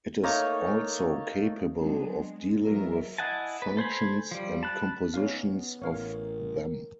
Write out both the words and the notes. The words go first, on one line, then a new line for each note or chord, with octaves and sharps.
It is also capable of dealing with functions and compositions of them.
A3 A#3 D#4 C#5
F#3 G#3 B3 C4 D4
G#3
B2 F#3 A#4 E5
E4 D#5 F#5 G#5 A5
B4
A4 C5 G#5 B5
F3 G3
A5 B5 F#6
B3 C#4 D#4 F5
A1 A#4 C#5 F5